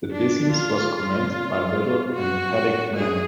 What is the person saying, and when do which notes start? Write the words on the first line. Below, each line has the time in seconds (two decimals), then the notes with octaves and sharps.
The business was commenced by a little emphatic man.
0.11 D4
0.51 F4
0.92 F4
2.14 F#4
2.96 G#4